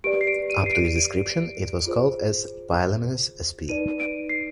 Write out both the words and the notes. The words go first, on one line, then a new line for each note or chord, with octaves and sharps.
Up to its description it was called as "Pylaemenes" sp.
G4 B4 D5 D7
C7
D7
D#7
C7
D7
D7
F4 G#4 C5
D#4 B4 D5 D#7
D7
C7